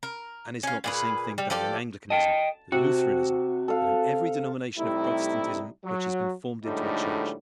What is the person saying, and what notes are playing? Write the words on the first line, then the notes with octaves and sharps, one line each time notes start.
And is not the same thing done in Anglicanism, Lutheranism, and every denomination of Protestantism which has been formed into a church?
A#4
C#4 F5
A#2 G#4 B4
G3
F3 G4 A4 D5
D#5 G5 A5
C3 F#4
A4 F5
C3 G3 A3 D#4 E4
F#3
A2 D3 F3 G3 G#3 D#4